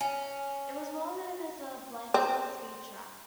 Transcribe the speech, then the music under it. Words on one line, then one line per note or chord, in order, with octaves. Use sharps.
It was well known as a blatant speed trap.
C#4
C4